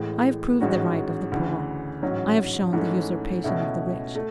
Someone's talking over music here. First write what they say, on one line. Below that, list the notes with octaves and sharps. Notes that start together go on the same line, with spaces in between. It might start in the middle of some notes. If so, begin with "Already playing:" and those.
I have proved the right of the poor; I have shown the usurpation of the rich.
Already playing: A1 A2 G#3
A1 G#2 G#3 C#4 F#4
D2 C#3 E3
A1 G#2 F#3 C#4
G#2 E3 A3 C#4
C#2 B2 A3 C#4 E4
A3